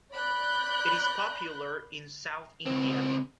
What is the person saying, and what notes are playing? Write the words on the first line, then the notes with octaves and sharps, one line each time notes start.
It is popular in South India.
D5 B5 F#6 G6
C#2 C4